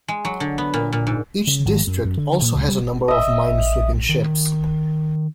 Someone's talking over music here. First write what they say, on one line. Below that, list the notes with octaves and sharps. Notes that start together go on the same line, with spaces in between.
Each district also has a number of minesweeping ships.
G#3
F#3
D3
B3
A#2
A#2
G#2
C#3
G#1
F#2
F#2
D3
A#2
C#2
G3
D#5 E5
D#3